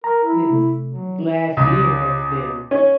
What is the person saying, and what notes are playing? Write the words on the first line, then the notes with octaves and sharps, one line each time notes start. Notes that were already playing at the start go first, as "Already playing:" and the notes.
this last year has been
A#4 A#5
E4
C3 A3
F#3
C#2
C#4